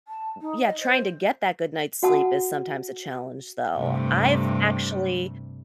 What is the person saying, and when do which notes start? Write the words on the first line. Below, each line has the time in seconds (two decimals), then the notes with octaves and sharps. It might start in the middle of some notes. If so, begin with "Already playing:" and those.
yeah, trying to get that good night's sleep is sometimes a challenge, though. I've actually
0.08 A5
0.41 D#4
0.60 D#5
0.80 C5
2.03 F#4 F#5 A5 D#6
3.76 G2 C3 A3